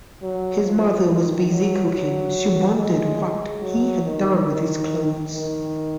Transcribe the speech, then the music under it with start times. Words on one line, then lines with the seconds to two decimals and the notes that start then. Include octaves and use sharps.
His mother was busy cooking; she wondered what he had done with his clothes.
0.23 F#3
0.65 F3
1.07 D#3
1.50 F#3
1.93 F#3
2.77 G#3
3.62 F#3
4.05 D#3
4.48 D#3
5.33 D#3